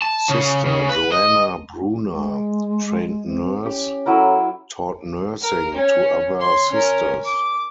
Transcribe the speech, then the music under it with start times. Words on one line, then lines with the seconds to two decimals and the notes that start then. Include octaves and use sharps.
Sister Joanna Bruner, trained nurse taught nursing to other Sisters.
0.02 A5
0.29 C#3
0.66 C#3
0.89 B4
1.12 D#5
2.13 G#3
3.26 C4
3.65 C#4 G4
4.06 F#3 E4 A4 A#4
5.41 A#4
5.75 C#4
6.39 C#5 C6
6.71 C#4 A#4
7.25 D6